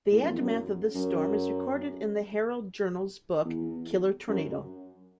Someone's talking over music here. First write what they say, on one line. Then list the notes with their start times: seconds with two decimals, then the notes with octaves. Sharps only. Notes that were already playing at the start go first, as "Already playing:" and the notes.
The aftermath of this storm is recorded in the Herald Journal's book, "Killer Tornado".
0.11 A2
0.20 F#2
0.29 E2
0.39 F#2
0.95 F#2
3.45 E2
4.29 F#2